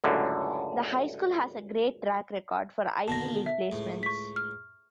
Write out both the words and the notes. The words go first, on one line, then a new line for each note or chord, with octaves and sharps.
The high school has a great track record for Ivy League placements.
C#2 F#2 A2 D3
B2 D3 D#3 A5 A#6
E5
C#2 A2
C#6 B6
F6